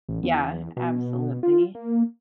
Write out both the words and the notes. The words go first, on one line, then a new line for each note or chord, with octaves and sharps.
Yeah, absolutely.
A1
E2
B2
F4
A#3